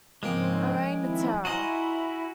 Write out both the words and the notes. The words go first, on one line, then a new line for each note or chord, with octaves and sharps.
A Reign of Terror.
G#2 C#3 F3 G#3 A#3 C4 D#4 G5
D#3 C4 E4
E4 F#4 C5 D#5 F5 G#5 A#5